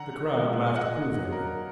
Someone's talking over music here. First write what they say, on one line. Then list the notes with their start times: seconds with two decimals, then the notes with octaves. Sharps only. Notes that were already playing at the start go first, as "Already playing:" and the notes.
The crowd laughed approvingly.
Already playing: D3 F#5 A#5
0.32 F3 G#3
0.66 G#5
0.76 A#2 D#5 F#5
1.18 F#3
1.32 A#4